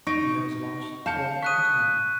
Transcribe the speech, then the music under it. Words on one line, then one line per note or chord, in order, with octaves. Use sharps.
He has lost all his money....
D#4 C#6 A#6 D7
F5 A5 G6 C#7
C#6 D#6 F#6 B6 D#7